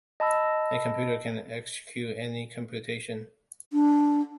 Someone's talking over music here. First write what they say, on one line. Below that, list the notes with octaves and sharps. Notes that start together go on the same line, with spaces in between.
A computer can execute any computation.
D#5 A5 B5 E6
D4